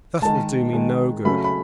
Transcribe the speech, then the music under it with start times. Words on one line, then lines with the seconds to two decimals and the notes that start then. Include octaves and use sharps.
"That will do me no good."
0.22 D#3 G#3 A5
0.73 D#3 G#3
1.25 C#3 F#3 A3 B5
1.44 B5